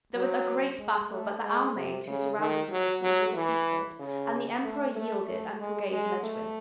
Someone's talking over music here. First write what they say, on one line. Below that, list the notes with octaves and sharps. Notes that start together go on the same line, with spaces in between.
There was a great battle but the Almains who surrounded the city were defeated and the Emperor yielded and forgave Ledgwin.
F#3
G#3
A3
G#3
C3
C#3
D#3
F#3
F#3
E3
C#3
A3
A3
A3
G#3
G#3
A3